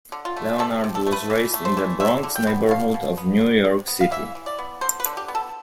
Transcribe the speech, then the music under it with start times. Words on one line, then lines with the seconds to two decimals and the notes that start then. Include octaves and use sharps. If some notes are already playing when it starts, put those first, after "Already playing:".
Leonard was raised in the Bronx neighborhood of New York City.
0.12 D3
0.25 F4
0.36 A3
0.59 C3 A4
0.84 C3
0.95 A4
1.07 A3
1.12 B4
1.30 E3
1.54 A3
1.65 C5
1.77 E3
2.00 D3 E5
2.23 D3
2.36 G5
2.47 B3
2.71 B2 F5
2.94 B2
3.18 B3
3.41 C3
3.65 C3
3.88 B3
4.01 F5
4.11 E3 E5
4.35 E3
4.46 D5
4.58 B3
4.81 D3 C5
5.00 B4
5.05 D3
5.17 G4
5.28 B3
5.35 A4